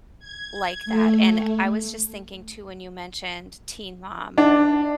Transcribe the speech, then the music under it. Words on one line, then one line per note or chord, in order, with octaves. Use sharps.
like that, and I was just thinking too when you mentioned Teen Mom,
G#6
A3
D4